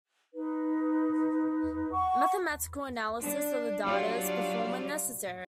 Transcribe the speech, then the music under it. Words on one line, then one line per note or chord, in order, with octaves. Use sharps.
Mathematical analysis of the data is performed when necessary.
D#4 B4
F#5 C#6
D4
F#3 G3 D4 F4 F#4 D5